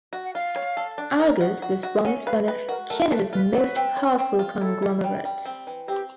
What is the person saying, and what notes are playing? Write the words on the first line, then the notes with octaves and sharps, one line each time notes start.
Argus was once one of Canada's most powerful conglomerates.
F#4
F#5
F4 F5
C#5
A4
D4
A#4
F#4
F#4
F#4
C#4 F#5
B4 F5
B4 D#5
F#4 A#4
A3 A#4
A3 B4
F4 B4
F#3 B4
C4
C#5
C4
F4
E4 A4
E4
G3
G3
C4
E3
C4 G4